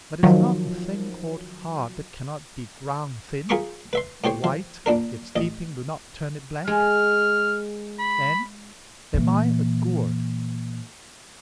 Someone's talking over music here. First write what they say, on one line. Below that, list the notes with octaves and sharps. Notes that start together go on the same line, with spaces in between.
But is not a thing called hard that cannot be ground thin; white, if steeping will not turn it black? And am I a gourd?
D#3 F3 F#3
F4 G#4 A#4 B5 C#6 D6
B4 E5 C6
A2 G4 C5 C#5 C6
F3
A#2 D4 A#4
A1 D#5
G#3 F6
B5
A#2 E3